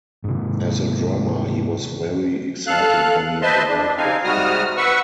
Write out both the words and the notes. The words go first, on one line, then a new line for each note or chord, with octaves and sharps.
As a drummer, he was very exciting for me to work with.
G#2 C3
A4 F5 F#6
B4 C5 D#5 E5 A5 C6
D4
C4 D#4 F5 G#5
G#2 C3 G3 F#4 D#6 F6
B4 F#5 C#6 E6